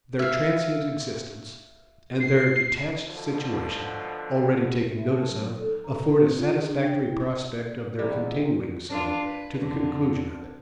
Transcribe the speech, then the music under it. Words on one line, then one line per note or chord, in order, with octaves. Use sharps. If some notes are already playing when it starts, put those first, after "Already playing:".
Their transient existence, and their detached situation, already taken notice of, afford a satisfactory prospect of their continuing so, to the conclusion of it.
E5 F5
C7
B2 D3 F3
E5
A5
F#3
D#4
A4
A#5
C4
F4
G#4
D4
G5
E4
E2 G#2 C3 G3
D4 F4
B4
F2 D3